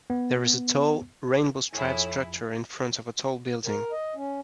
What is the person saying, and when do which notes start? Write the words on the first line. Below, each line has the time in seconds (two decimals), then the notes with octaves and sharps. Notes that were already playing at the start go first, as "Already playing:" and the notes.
There is a tall, rainbow striped structure in front of a tall building.
0.10 B3
1.73 F2 A2 E4 G#4 G#5
3.65 A#4
3.92 D#5
4.15 C#4